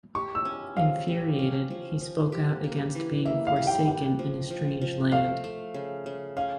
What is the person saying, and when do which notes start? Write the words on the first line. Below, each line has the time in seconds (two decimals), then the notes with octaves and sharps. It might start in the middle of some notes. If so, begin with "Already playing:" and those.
Infuriated, he spoke out against being "forsaken" in a "strange land".
0.15 G4 C#6
0.35 E6
0.45 C#4
0.77 F3 F5
1.08 G4
1.39 C#4
1.70 F3
2.01 F3
2.32 G4
2.64 A#3
2.95 E3
3.25 A#3 E5
3.47 F5
3.56 G3
3.67 G5
3.88 D4 G5
4.19 F3
4.50 F3
4.81 F3
5.11 A3 F5
5.44 A3
5.74 C#3
6.06 C#3
6.37 C#4 F5